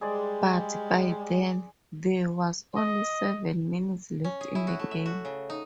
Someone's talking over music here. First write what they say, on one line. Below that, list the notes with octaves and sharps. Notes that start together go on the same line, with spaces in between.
But by then, there was only seven minutes left in the game.
G3 G#3 G#4 C5 D5
D#5
C#4
G#4
E4
F#4
A3
E5
F#4
C#3
D#4